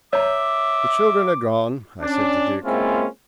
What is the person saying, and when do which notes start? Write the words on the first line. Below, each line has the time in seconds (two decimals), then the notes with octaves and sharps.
"The children are gone," I said to Dick.
0.13 C#5 E5 A#5 D6
2.02 C#4 D4
2.65 G#3 A#3 C4 C#4 E4 F4